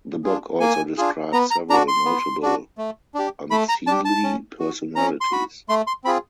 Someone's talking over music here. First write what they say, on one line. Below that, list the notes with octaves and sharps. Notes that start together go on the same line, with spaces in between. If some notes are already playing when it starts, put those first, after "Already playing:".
The book also describes several notable Unseelie personalities.
D4 F4 G#4
A#3 G#5
D4 F4 G#4
B3 A#5
A#5
D4 F#4 A#5
C6
B3
D4 F#4
A3
D4 G4
A3 B5
A#5
D4 G4 A5
A5
C#4
F#4
C#4 A#5
C6
F#4 B5
A3 C6
C6
C4 F4 G#4 B5